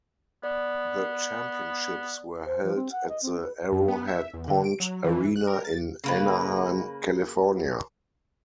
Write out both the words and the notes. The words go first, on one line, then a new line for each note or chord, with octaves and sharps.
The Championships were held at the Arrowhead Pond arena in Anaheim, California.
B3 D5
C5
F3
C4
F#5
D#5
C4
B4
F#2
B3
E5
E2
D3
D7
F#3
E3
F#6
A#4
A6
C#3 A#3 B4